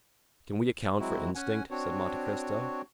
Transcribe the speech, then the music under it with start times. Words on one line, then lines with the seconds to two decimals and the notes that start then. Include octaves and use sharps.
"Can we account for instinct?" said Monte Cristo.
1.00 F#3 G#3 C4 E4 F#4
1.35 C#4 F#5 G#5
1.71 C4 D4 F#4 C#5